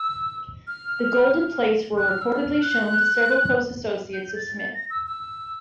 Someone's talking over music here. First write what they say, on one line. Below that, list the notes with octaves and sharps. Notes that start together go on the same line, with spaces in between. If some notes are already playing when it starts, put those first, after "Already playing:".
The golden plates were reportedly shown to several close associates of Smith.
Already playing: E6
F6
F#6
F6
E6
F6
F#6
G6
A6
A6
A#6
E6
E6